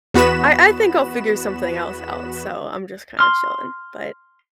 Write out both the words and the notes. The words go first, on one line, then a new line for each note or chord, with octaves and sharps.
I I think I'll figure something else out. So I'm just kinda chilling, but
E2 B3 F#4 B4 B5 E7
C6 F6